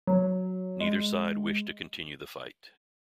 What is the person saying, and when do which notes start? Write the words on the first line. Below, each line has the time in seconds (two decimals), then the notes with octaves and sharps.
Neither side wished to continue the fight.
0.07 F#3
0.80 G#3